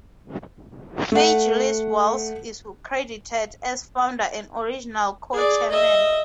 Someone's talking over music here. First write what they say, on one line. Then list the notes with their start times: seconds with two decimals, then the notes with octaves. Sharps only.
Fay Gillis Wells is credited as founder and original co-chairman.
1.12 A3 F#5
5.33 G#4 D5
5.70 D#5 E5